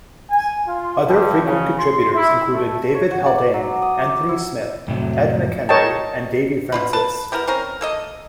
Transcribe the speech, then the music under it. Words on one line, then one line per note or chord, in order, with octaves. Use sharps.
Other frequent contributors included David Haldane, Anthony Smith, Ed McHenry and Davy Francis.
G#5
F4
G2
C#3
C6
E4
A3
C#5
F#4
D5
F#3
D#6
D6
E4
F2 A2 C3 F#3
A#4 C#5 D#5 G5 A5
B2 F4 B5
B4 A5
G3 B3 E4 A#4
C4 C#4 A#4
A#3 A4 D#5